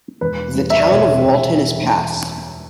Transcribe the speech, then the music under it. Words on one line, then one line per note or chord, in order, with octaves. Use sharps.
The town of Walton is passed.
E1 B4
G3
E5
D5
B2 C#5
E2